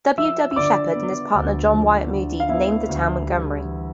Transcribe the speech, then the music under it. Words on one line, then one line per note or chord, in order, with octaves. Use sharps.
W. W. Shepperd and his partner John Wyatt Moody named the town Montgomery.
F3 E5 E6
E6
D3 D5 D6
B3
D2
F3
D3
F5
B3 E4 E5
D2
G3
E3